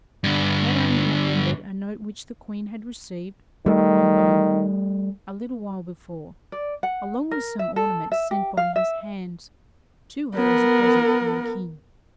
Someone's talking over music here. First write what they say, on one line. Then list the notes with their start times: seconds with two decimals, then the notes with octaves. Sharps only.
Madame remembered a note which the Queen had received from Boehmer a little while before, along with some ornaments sent by his hands to her as a present from the King.
0.24 G2 D3
3.66 D#3 G3 A3
6.52 D5
6.83 F#5
7.31 A#4
7.59 E5
7.76 A4
8.12 E5
8.31 G4
8.57 F5
8.76 E5
10.36 B3 A#4